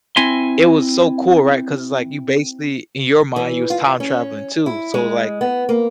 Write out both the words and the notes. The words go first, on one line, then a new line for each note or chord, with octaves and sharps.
it was so cool, right, 'cause it's like, you basically in your mind, you was time traveling too, so, it was like,
C4 E4 G#5 C6
E3
F4
C#4
E4
G#3
B3
A#3